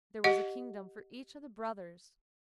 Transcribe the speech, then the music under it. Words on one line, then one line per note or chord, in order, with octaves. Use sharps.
There was a kingdom for each of the brothers.
G4 D#5 F#5